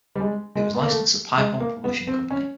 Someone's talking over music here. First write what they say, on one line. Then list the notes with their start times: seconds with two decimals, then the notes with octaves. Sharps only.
It was licensed to Piedmont Publishing Company.
0.15 G3
0.20 G#3
0.55 G#3
0.75 B3
0.82 A#3
0.90 A3
1.38 G#3
1.60 A#3
1.84 B3
2.07 C4
2.31 C#4